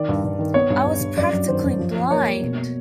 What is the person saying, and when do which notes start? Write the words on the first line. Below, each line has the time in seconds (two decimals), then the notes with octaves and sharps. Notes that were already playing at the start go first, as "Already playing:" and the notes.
I was practically blind.
Already playing: D#3 D5
0.09 G2
0.24 G2
0.39 D#3
0.54 B3 C#5
0.70 G2
0.86 G2
1.01 G2
1.17 F#2 D5
1.33 F#3
1.48 D#3 C5
1.63 F#2
1.79 F3
1.95 F3
2.11 A#3 C#5
2.26 A#3
2.41 B2